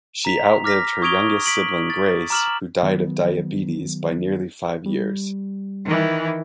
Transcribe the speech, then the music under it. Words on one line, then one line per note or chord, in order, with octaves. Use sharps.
She outlived her youngest sibling, Grace, who died of diabetes, by nearly five years.
A#5 B6 F7
D6 F6 A#6 B6
C#6 D#6 G#6 D7 F7 G7
B6 D7 F#7
A6
A#5 D6 F6 E7 F#7
D#3 F#3 B3
G3
D#3 E3